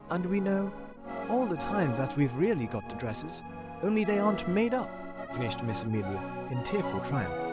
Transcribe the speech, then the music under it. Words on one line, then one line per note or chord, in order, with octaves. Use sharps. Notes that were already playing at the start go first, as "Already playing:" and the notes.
"And we know all the time that we've really got the dresses, only they aren't made up!" finished Miss Amelia, in tearful triumph.
Already playing: D#2 C#3 G#3
B4
D#2 C#3 G#3 C#4
G#2 F#3 A#3 C#4
E5
G#5
G#5
G#2 F#3 A#3 C#4 G#5
E2 B2 A#3
E2 B2 A#3
F#2 E3 A#3
F#2 E3 A#3 E5
A#2 F#3 C#4
D#5
A#2 F#3 C#4 E5
G#5
G#5
B2 F#3 C#4 G#5
F#5
G#5
B2 F#3 C#4 A#5
C#6
B5
C#3 E3 B3 F#5